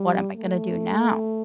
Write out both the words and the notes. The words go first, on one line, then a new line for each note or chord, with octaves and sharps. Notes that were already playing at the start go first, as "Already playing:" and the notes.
"What am I gonna do now?"
Already playing: G3
A3